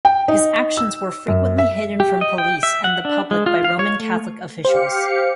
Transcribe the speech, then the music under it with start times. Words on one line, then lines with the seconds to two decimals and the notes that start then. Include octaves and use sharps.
His actions were frequently hidden from police and the public by Roman Catholic officials.
0.05 G5
0.28 D#4
0.77 E6
1.28 F#2
1.58 E5
2.00 G4
2.21 D#5
2.38 G5
2.63 E5
2.84 F#5
3.05 D4
3.31 G#3
3.46 F4
3.64 F5
3.79 C#5
4.00 A3
4.65 G4 C5 F5 C#7